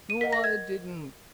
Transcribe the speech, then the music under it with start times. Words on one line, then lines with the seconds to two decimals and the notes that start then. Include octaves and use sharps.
No, I didn't.
0.10 D#7
0.21 A#4 D#5 F#5 B6
0.33 A#6
0.44 G#6